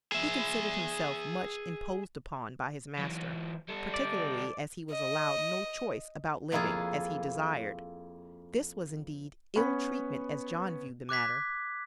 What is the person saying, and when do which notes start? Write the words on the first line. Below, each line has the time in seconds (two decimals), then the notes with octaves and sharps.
He considered himself much "imposed upon" by his master, particularly as he was allowed "no choice about living" as he "desired." This was indeed ill-treatment as John viewed the matter.
0.12 G#4 E5
2.99 E3 F#3
3.68 G3 A4
3.94 D5
4.91 D#5
6.52 F2 A#3 E4 F4 G#4
9.56 B3 C#4 B4 B5
11.09 D6 F#6 G#6 B6